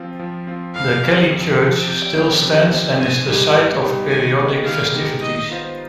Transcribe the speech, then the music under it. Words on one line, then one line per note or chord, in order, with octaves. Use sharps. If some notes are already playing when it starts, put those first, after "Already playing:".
The Kelly Church still stands and is the site of periodic festivities.
Already playing: F3 C4 F4
F3
C4 F4
F2 F5
C3 F3
F2
C3 F3
C3 G5
F3 B3 D4
C3
F3 B3 D4
G#2 G#5
G3 B3 D#4 G4
G#2
G3 B3 D#4 G4
D#3 G#5
G#3 B3 D#4 G4
D#3 F5
G#3 B3 D#4 G4
D#3 D#5
B3 F4 C5